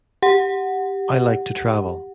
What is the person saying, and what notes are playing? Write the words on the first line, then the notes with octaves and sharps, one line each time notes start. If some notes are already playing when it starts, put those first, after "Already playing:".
I like to travel.
G4 F#5